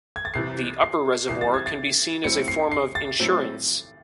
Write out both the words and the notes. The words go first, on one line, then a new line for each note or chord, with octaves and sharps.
The "Upper" reservoir can be seen as a form of insurance.
G#6
A6
C2 C3 E3 C7
C7
C2 C3 E3 C7
A6
G#6
A6
A2 F#3 C4 E4 C#7
C7
C7
A6
A2 F#3 C4 E4